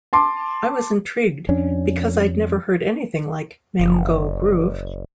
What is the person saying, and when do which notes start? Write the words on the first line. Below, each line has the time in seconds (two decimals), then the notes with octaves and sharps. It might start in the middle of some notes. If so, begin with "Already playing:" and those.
I was intrigued because I'd never heard anything like Mango Groove.
0.13 A5 C6 D6
1.49 F2 C#4 D4
3.79 F#1